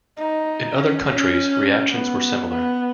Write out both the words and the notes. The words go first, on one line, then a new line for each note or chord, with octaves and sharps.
In other countries, reactions were similar.
D#4
C#4
C#4
B3
B3